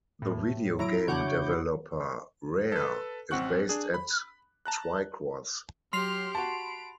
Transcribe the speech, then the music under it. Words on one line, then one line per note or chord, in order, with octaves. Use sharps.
The video game developer Rare is based at Twycross.
A2
F#3 E4 A#5 D7
C#3 D4 F#4 C#5 F#5 D6 G6
A4 B4
A1 C4 F#5 C#6 F#6
D4 G#4
B5
A5 A#5 F#6
F#3 G4 C6 F6 C7 F7
F#4 A5 B5 D7